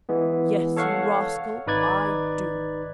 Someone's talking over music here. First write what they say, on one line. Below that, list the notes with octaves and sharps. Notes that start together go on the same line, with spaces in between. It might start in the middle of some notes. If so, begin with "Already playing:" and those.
"Yes, you rascal, I do."
E3 G#3 B3
A4 C#5 F5 F#5 C#6
G#1 D#4 B4 D5 G#6